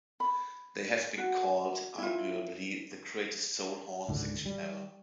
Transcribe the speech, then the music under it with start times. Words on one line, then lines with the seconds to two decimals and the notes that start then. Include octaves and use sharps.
They have been called arguably the greatest soul horn section ever.
0.20 B5
1.18 F#4
1.98 E4 F4
4.08 C#2 G#2 D3
4.46 G3